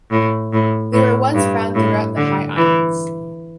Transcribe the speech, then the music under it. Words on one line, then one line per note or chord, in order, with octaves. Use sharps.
They were once found throughout the high islands.
A2
A2
A2
G2
A2
D3
E3